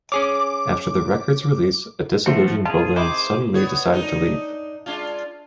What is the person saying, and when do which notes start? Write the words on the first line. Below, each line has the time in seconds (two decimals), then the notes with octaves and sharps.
After the record's release, a disillusioned Bolin suddenly decided to leave.
0.12 C#4 G#4 C#5 D6
2.26 F3 A3 E4 F#4 C5
2.65 C#3 F3 F4 G#4 A5
2.96 D#3 C4 E4 G#4 C5 D6
3.54 B3 C#5
3.92 D4 D#4
4.86 G#3 D4 F4